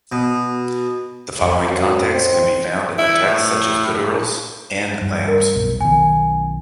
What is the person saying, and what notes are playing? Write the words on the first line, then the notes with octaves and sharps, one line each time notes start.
The following content can be found in texts such as Goodearl's and Lam's.
B2
F2
F#2
C4
E4
A2
G2
A#4
E1 B1
B1 D#3 G#5